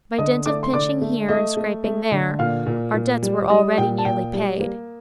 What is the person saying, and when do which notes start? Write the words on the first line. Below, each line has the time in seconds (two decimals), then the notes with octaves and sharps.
By dint of pinching here, and scraping there, our debts were already nearly paid.
0.18 D3 D#5 D#6
0.46 A3 D5 D6
0.63 C6
0.73 D3 D5 D6
1.01 A3
1.29 A3 D#5 D#6
1.57 A3
1.84 A3
2.12 D3
2.39 A#2 F5 F6
2.66 A#2
2.94 A#2
3.22 G3
3.49 G3 D#5 D#6
3.78 A#2 G5
3.98 A5
4.05 A#2 G5
4.33 G3
4.60 A#3